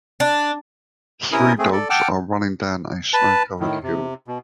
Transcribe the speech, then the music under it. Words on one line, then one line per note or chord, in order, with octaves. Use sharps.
Three dogs are running down a snow covered hill.
D4
C3 C#4 E4 A#4 D#6
A3 C4 G#4
A4 D5
F#5 G5 A5 D6 E6 F6
B4 A5
A2 D#3
C3
B2